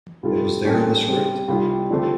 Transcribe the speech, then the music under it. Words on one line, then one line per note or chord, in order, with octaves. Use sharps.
It was there in the script.
C2 C3 G3 F4 A4
A1 A2 G3 C4 A4
C3 G3 C4
C2 C3 G3 F4
D3 F3 A3 C4 G4